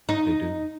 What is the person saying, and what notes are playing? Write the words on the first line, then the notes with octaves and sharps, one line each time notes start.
They do.
D#4